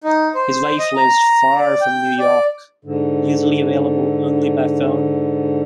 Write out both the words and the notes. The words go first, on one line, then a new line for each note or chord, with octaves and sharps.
His wife lives far from New York, usually available only by phone.
D#4
C5
D#5
A#5
D5
G5
D5
G#2 D3